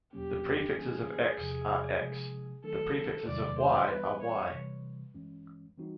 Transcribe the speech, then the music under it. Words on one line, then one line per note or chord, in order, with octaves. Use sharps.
The prefixes of "X" are "X"; the prefixes of "Y" are "Y".
E2 B2 F#3 A#3 C#4 G4
G2 D#3 F#3 A#3 C#4 G#4
E2 C3 F3
C3 F3 G#3
D#3 F#3 A3 D4 A4
E2 C3 D#3 F#3 A3 D5
C5
E3 G3 B3 B4
C#5
C3 E3 G3
G2 E3 G#3 C#4
E3 G3 C4 D#4 F#4